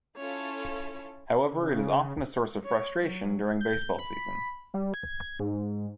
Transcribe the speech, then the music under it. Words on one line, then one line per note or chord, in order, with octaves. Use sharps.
However, it is often a source of frustration during baseball season.
C#4 E4 F4 A4 C#5
C#3
C#5
F#3
G6
B5
G3
G#6
G#2